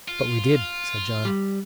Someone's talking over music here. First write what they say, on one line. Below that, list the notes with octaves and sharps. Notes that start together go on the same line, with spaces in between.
"But we did," said John.
F4
G3